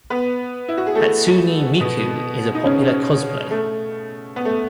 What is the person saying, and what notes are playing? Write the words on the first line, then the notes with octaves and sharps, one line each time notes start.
Hatsune Miku is a popular cosplay.
B3 B4
E4
F#4
G#4
A3 A4
B2 B3
D#4
C#3 C#4
A3
B3
A3